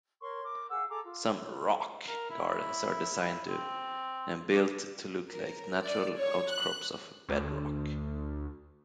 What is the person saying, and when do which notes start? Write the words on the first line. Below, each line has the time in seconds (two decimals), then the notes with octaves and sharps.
Some rock gardens are designed and built to look like natural outcrops of bedrock.
0.21 A#4 C#5 C6 C#6
0.44 A#4 D6
0.70 G#4 F5 F#5 E6
0.90 G#4 A4 A#5 D6
1.04 F4
2.08 A#4
2.30 E4
3.21 E4
3.48 C4
4.54 D5
5.29 A#4
5.81 D5
6.16 C#5
6.49 F#6
7.29 D2